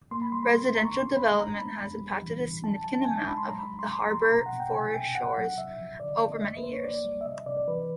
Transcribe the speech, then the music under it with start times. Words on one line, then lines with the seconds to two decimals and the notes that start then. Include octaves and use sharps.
Residential development has impacted a significant amount of the harbour foreshores over many years.
0.11 A#3 C6
0.22 B5
0.32 G3 C6
0.43 B5
0.53 B2 C6
0.65 C6
0.75 B3 A#5
0.85 C#6
0.95 D#3 C6
1.16 F#2 B5
1.38 G#3 A#5
1.58 B3 B5
1.80 F2
2.01 G3
2.22 E3
2.42 C#3
2.64 F#3 A5
2.84 F#3 A5
2.95 A5
3.05 G#3 G#5
3.16 A5
3.26 G#3 B5
3.38 C6
3.48 F#3 A#5
3.58 B5
3.69 F#3
3.79 C6
3.89 F#2 C6
4.00 A#5
4.10 F3 C6
4.21 B5
4.31 B2 A#5
4.46 F#5
4.53 B2
4.60 G5
4.73 C3 G#5
4.94 C3 G5
5.15 E2 F#5
5.37 F#3
5.57 C3 E5
5.79 F3
5.99 D3 D5
6.11 D#5
6.20 F#2
6.32 D#5
6.41 F#2 E5
6.57 B4
6.63 A#3 C5
6.73 C#5
6.83 F2 D5
7.05 G3
7.21 E5
7.25 C3 D#5
7.46 C3 D5
7.68 E3 B4